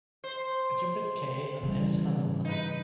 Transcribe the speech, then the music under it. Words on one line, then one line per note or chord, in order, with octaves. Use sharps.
Alibek, K. and S. Handelman.
C5
C#3 E3 G3
D#4 B4